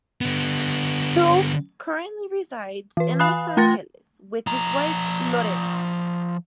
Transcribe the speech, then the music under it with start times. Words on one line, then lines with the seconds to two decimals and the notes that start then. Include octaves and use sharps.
Toub currently resides in Los Angeles, with his wife, Lorena.
0.21 D3 B3
2.97 E3 B4
3.19 F5 G#5 B5 D#6 F#6
3.57 A3 F4 G5 C6 A6 A#6
4.47 F3 A#5